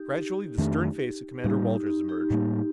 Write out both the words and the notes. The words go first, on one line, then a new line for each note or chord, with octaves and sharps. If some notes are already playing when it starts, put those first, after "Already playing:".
Gradually the stern face of Commander Walters emerged.
Already playing: D#4 G4
F2 D#3 A3 D4
A2 G3 A#3 D#4 G4
D#4
D#4 G4
A2 G3 A#3